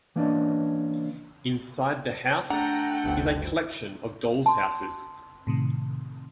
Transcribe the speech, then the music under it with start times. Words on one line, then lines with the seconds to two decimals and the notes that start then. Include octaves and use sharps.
Inside the house is a collection of dolls' houses.
0.16 E3 A#3 C#4 D4 D5 D#5
2.50 A3 D4 F#5 G5 A#5
3.04 G1 D2
4.46 A5 C6
5.47 A2 C3 D#3